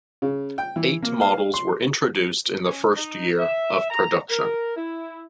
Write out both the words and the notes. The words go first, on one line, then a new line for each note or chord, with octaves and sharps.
Eight models were introduced in the first year of production.
C#3
G5
E3
A#3
F5
C6
C#4
D#4
E5
A#5
A#4
E4